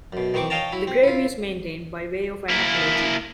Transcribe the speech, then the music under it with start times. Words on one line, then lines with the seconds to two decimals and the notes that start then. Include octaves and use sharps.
The grave is maintained by way of an apology.
0.13 F#2 B2
0.34 D#3 E3 C4 C#6 D6
0.50 C#5 D#5 F5 G5 A5 A#5
0.72 F#3 E4
0.87 C4
1.03 E4 F4
2.50 A#3 E4